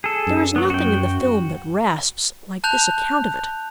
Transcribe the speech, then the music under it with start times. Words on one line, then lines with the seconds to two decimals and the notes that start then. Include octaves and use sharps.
There is nothing in the film that rasps like this account of it.
0.04 G#4 A4
0.26 F#2
0.56 F#3 B3
0.70 F#4 G5
2.64 A5 F#6 G6 F7